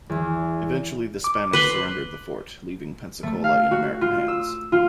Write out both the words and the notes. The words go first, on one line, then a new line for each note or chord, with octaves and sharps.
Eventually the Spanish surrendered the fort, leaving Pensacola in American hands.
E2
D6
B4 B5 C6
A3
F5
F#4
F4
E6
F4